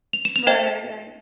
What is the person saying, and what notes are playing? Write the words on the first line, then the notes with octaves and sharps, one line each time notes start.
Right, right.
F7
E7
F7
C5 D#5 G5 E7